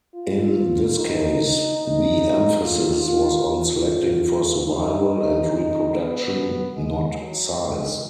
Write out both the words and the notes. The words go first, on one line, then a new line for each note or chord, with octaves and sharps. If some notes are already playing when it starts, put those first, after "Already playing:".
In this case, the emphasis was on selecting for survival and reproduction, not size.
F4
D#4
D#4
D#4
F4
F4
F4
D#4
D#4
D#4
B3
G#3
F#3
G#3